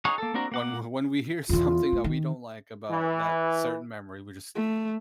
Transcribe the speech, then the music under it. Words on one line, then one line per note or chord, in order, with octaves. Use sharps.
when w when we hear something that we don't like about that certain memory, we just
D#4 G#4 C#5 F#5
A#3 A4
A#3 C4 D4 F#4 A#4
A#3 F#5 D6
E2 E3 F4
A3
D#3
E3
A3